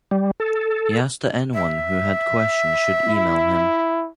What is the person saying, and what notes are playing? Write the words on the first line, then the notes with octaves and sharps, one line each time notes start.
He asked that anyone who had questions should email him.
G3
A4
E5
E4